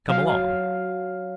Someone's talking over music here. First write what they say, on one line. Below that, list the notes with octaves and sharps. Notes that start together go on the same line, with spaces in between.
"Come along."
F#3 F5